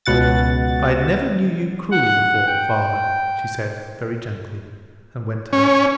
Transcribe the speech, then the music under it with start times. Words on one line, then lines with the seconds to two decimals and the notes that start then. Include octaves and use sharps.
"I never knew you cruel before, father," she said, very gently, and went out.
0.05 C#2 B2 F#5 A6
1.92 F#5
2.48 G5
5.53 C#4